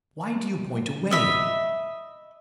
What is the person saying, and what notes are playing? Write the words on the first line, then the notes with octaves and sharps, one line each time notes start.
"Why do you point away?"
D#5 E5 B5